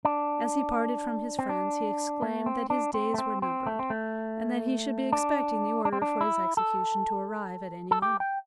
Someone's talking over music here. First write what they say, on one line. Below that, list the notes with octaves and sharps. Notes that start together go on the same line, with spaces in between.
As he parted from his friends he exclaimed that his days were numbered, and that he should be expecting the order for his execution to arrive at any moment.
D4
C4
D4
A3
C4
D4
C4
A3
C4
C4
A3
C4
A3
D4
D4
C4
D4
E4
A4
A4
G4
G5